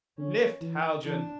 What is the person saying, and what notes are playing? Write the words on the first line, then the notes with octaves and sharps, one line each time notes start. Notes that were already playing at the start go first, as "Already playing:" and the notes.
"Lift, Haljan!"
D3 C#4
E3
E3 D4